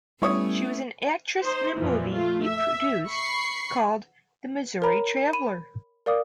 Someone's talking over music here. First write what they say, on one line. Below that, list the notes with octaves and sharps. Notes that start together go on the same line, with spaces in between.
She was an actress in a movie he produced, called "The Missouri Traveler".
G3 A3 B3 C#4 E4 C#5 D#6
D#4 C5
F2 A#2 E3 F3
A3 F4
E5
B5 C#6 C7
A#4 C#5 A#5 B5
B5 D#7 E7
A#4 D5 F5 D6 D#6